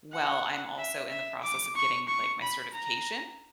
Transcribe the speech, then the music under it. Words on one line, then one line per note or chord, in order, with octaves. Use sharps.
well. I'm, also, in the process of getting, like, my certification
F#5
E5
E5
D6
C#6
C#6
B5
A#5